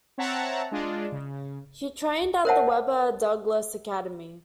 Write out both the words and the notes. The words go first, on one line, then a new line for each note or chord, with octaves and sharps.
She trained at the Webber Douglas Academy.
C4 C#5 E5 F#5 A5 A#5
G#3 D4 F4
C#3
A#4 C5 C#5 E5 F#5 A5